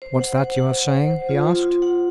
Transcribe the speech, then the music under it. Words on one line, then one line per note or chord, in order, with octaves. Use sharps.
"What's that you are saying?" he asked.
C5
F#5
C5
F#5
F#5
C5
C5
F4
F4
F4
F#5